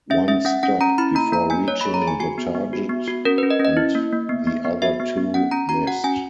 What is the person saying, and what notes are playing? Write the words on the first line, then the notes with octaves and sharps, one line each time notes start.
One stopped before reaching the target, and the other two missed.
C#4 E5
C#4 E5
C#4 F#5
C#4 F#5
C#4 A#5
E4 B5
A#3 A#5
A#3 A#5
A#3 G#5
A#3 C#5
G#4 B5
A#5
G#4
G#5
F#4 G#5
B3
B3
F#4
B3
F#4
C#4 A#4
C#4 B4
D#5
C#4
D#5
E4
A#3
A#3
B3
B3
B3
F#4 E5
B3
B3
C#4 F#5
C#4 A#5
F#4 A#5
F#4 F#5
C#4 G#5